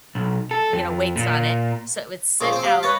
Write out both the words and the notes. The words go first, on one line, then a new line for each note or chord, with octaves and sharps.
you know, weights on it so it would sit out,
B1
A4
F2
A#2
A#1 C#3 F3
C4 C5
G4 F5
B4 C#5 D#5 A5